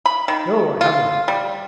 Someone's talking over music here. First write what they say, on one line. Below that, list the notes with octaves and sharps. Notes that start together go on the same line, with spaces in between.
'No, I haven't.
B5
D#3
F4
G3